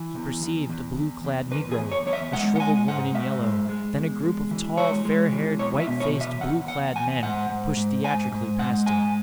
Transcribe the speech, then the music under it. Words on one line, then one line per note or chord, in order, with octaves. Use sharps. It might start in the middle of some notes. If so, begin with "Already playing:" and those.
He perceived a blue-clad negro, a shrivelled woman in yellow, then a group of tall fair-haired, white-faced, blue-clad men pushed theatrically past him.
Already playing: E3
E2
E2
E2
E2
E2
E2 B4
G#4
E2
C#5
E2 C#5
E5
G#3 F#5
F#5
G#3 G#5
G#2 F#5
G#2 E5
G#3
G#3
E2
G#3
E3
G#3 C#5
G#3
E3
E2 C#5
E5
B2
C#5
E2
E5
E2 F#5
E2 F#5
E2 G#5
G#2 F#5
G#2
G#2
G#2 G#5
G#2
G#3 F#5
G#2 G#5